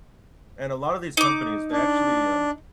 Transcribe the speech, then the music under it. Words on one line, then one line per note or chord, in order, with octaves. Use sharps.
and a lot of these companies, they actually, um,
D#4 D6
D4